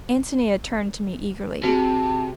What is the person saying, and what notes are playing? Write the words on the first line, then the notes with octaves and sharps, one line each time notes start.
Antonia turned to me eagerly.
C3 F#4 G#4 A5